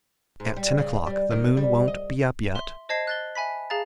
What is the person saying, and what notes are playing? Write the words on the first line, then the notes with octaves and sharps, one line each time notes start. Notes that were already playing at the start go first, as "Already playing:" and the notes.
At ten o'clock the moon won't be up yet.
G#2
G3
C#3
G3
D#3
G3
D#5
E5 C6
C5 D#5 A5 G#6 C7
F#6 A6 G7
E5 G#5 B5 B6
G#4 F5 A5 A#5 A6